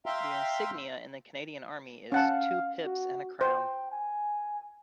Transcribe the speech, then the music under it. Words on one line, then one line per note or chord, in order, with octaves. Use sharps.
The insignia in the Canadian Army is two pips and a crown.
E5 F5 G5 A#5 C6
C#4 F5 F#5 A5
F#4
C5 G5
G#5